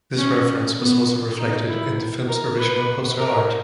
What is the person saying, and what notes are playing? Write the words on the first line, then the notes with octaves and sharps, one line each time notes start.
This reference was also reflected in the film's original poster art.
C#4
B3
D#4
E4
A#4
B4
A#4